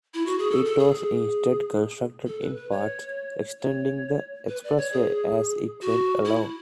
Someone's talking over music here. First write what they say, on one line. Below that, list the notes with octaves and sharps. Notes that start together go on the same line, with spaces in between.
It was instead constructed in parts extending the expressway as it went along.
E4
F#4
G#4
A4
A4
G#4
G#4
A4
B4
B4
C#5
C#5
B4
D5
C#5
G#4
F#4
E4